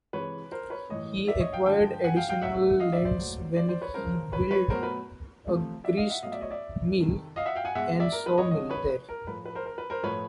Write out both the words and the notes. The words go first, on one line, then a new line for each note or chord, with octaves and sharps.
He acquired additional lands when he built a grist mill and sawmill there.
C3 E3 G#3 B4 C#5
A#4 C5
B4 C#5
A2 E3 A3 C#5 D#5
D5 E5
C#5 D#5
F5 G5
G2 D3 F3 G#3 G5 A5
F#5 G#5
F5 G5
F5 G5
A2 F#3 A3 E5 F#5
D#5 F5
D5 E5
C5 D5
A#2 F#3 A3
C5 D5
C5 D5
B4 C#5
F#2 C#3 F3 A#4 C5
B4 C#5
B4 C#5
B2 F#3 A3 A#4 C5
B4
C3 F3 A3
D5 E5
D#5 F5
E5 F#5
B2 F#3 A3 D#5 F5
D5 E5
C#5 D#5
D5 E5
F2 C3 D#3
D#5 F5
E5 F#5
F5 G5
F#5 G#5
B2 G#3 E5 F#5
D5 E5
A#4
B4
C#5 D#5
F2 D3 F3 G#3 C#5 D#5
B4 C#5
B4
A#4
A2 F3 A3 B4
B4
A#4 C5
A#4
B4
A#4 C5
A2 F3 A3 B4 C#5